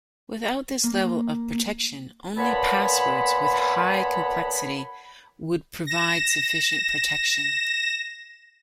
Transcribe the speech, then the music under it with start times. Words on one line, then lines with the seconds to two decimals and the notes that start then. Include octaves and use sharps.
Without this level of protection, only passwords with high complexity would provide sufficient protection.
0.83 A#3
2.37 A#2 B3 C#5 F#5 A5 B5
5.87 A#6 E7